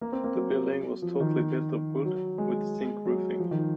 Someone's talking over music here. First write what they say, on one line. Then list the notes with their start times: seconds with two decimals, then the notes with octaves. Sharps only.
The building was totally built of wood with zinc roofing.
0.01 A#3
0.12 C4
0.24 A#3
0.35 F#3
1.02 F3
1.20 D#3
2.05 F#3
2.38 G#3
3.05 F#3
3.40 F3
3.51 D#3